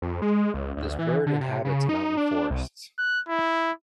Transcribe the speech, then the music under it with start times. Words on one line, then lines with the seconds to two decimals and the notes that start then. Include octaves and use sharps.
This bird inhabits mountain forests.
0.02 F2
0.22 G#3
0.54 C#2
0.77 D2
0.99 E3
1.26 D3
1.41 C3
1.65 C#3
1.89 D#4
2.17 D4
2.51 C2
2.98 F#6
3.29 E4